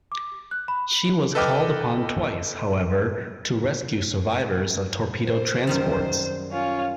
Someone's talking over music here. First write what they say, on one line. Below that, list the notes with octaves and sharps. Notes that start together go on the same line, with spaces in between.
She was called upon twice, however, to rescue survivors of torpedoed transports.
D6
F#6
B5
A4 B4 D#5 G5 D6 F6
C5
F#2 D#3 G3
C#4 F4